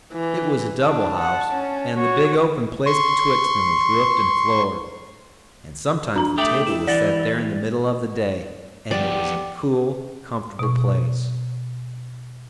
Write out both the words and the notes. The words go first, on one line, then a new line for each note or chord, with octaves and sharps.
It was a double house, and the big open place betwixt them was roofed and floored, and sometimes the table was set there in the middle of the day, and it was a cool, comfortable place.
E3
D4 A5
F#5
C#4
F#4 C#5
C6 C#6
D4 A#5
A3 G4 E5 D#6 F#7
E4 E7
E3 G3 D5 A6
F3 B3 G4 D5
B2 C#6